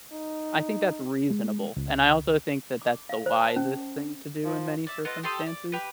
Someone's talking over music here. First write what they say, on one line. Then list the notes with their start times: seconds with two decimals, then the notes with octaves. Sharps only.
I think that's reasonable. And I also think that that's the wisest thing to do in many circumstances.
0.12 D#4
1.30 G#3
1.77 C#2
2.82 D6
3.09 F5
3.26 C5
3.39 A5
3.56 C#4
4.44 F3
4.87 D5 E5
5.05 B3 F4 A4 D#5
5.23 G4 A4 C6 D#6
5.46 D5
5.72 G4 B4